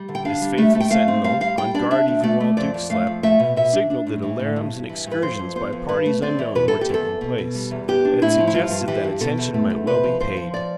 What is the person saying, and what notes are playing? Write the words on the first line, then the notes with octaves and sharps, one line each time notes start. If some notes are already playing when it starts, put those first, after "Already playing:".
This faithful sentinel, on guard even while Duke slept, signalled that alarums and excursions by parties unknown were taking place, and suggested that attention might well be paid.
Already playing: G3
D3
G5
D4 F5
G3
A3 E5
A3
G5
A3 F5
C4
G3 F5
G3 F5
G3 G5
D4 D5
D4 E5
D2
A3 D5
A3
F2 D5
F2
A3 F5
F2
A3 E5
B2
B2 E5
D4
D4
A2
E3
A2
G2
G2
E3
G2
B4
F2 C5
F2
B3 C5
F2
G2 B4
A3
C4 D5
E3
B2 B4
E2 A4
G4
E2 A4
E2
B2
B2
G3
E2
B3 G4
D4
A2 E4
F3
E4
G2 F4
G2
E3 G4
G2
B2 A4
E2
A3
E2
C3 B4
F3
F3 C5
F3
D5